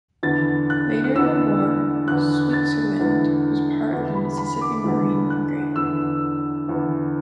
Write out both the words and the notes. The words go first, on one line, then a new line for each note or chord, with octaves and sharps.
Later in the war, "Switzerland" was part of the Mississippi Marine Brigade.
E2 D3 B3 A6
F#6
F#6
E2 D3 B3 E6
E2 D3 B3 F#6
A6
E2 D3 B3
E2 D3 B3
B5
B5
D6
E2 D3 B3
F#6
E2 D3 B3 E6
E2 D3 B3